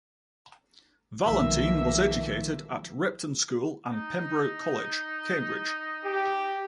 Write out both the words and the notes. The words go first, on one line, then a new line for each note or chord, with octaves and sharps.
Valentine was educated at Repton School and Pembroke College, Cambridge.
B1 D#3 F3 G#3 A#3 E5
D#4
G4